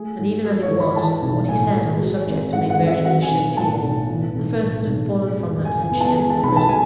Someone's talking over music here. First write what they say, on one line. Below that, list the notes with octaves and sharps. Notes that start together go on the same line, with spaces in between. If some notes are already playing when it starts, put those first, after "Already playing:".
And, even as it was, what he said on the subject made Virginie shed tears--the first that had fallen from her since she entered the prison.
Already playing: A3 G#4
G#2
F#3 A4
C#5
G#2
B5
E3 A5
B1
A2 G#5
G#3
F#3
G#1
G#2 F#5
F#5
G#1
E5
F#3 F#5
G#5
B1
A2 A5
B1
E3
B1
A2
B1
G#3
F#2
C#3 G#5
G#5
B3
A5
G#3 G#5
A5
B1 B5
A5
B2 G#5